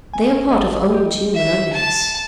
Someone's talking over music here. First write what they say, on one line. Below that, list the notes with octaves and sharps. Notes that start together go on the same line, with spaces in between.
They are part of old human ugliness.
G#5
G#1 D#5
G4 D#5
E5
A5